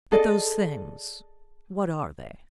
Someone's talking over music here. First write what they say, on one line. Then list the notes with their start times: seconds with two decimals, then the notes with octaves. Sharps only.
"But those things--what are they?"
0.12 G#4 A4 D5 D#5